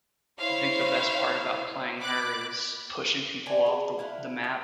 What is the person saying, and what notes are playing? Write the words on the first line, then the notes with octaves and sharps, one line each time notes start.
I think the best part about playing her is pushing people off the w the map.
E4 C5 C#5 F5
B5 D6 F#6
D3 E3 G#5
G#4
E4 F5 F#5
B3